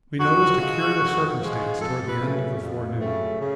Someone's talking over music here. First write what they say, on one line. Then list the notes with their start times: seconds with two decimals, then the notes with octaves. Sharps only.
We noticed a curious circumstance towards the end of the forenoon.
0.19 F2 F#4
0.59 F3 G#3
0.99 F2
1.39 F3 G#3
1.79 F2 A4
2.06 B4
2.19 C#3 F#3 A3
2.60 F2
2.99 C#3 F#3 A3
3.40 C#3